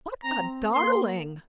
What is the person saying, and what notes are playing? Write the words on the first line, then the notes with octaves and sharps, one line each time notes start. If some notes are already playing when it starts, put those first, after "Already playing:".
What a darling!'
C4 A#5
A#3 C6